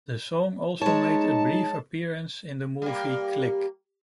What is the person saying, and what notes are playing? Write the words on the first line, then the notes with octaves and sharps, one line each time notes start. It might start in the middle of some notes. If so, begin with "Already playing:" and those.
The song also made a brief appearance in the movie "Click".
G#3 D#4 C#5 A5
G3 A#3